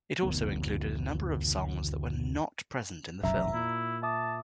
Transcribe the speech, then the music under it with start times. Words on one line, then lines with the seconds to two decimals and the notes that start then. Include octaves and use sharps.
It also included a number of songs that were not present in the film.
0.23 F#1 D2 B3
3.24 F1 B1 F#2 E5 A#5
3.54 A#2 E4
4.03 E5 A5 D6 D#6